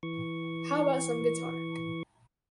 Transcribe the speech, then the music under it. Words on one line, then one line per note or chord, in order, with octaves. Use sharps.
How about some guitar?
E3 C#6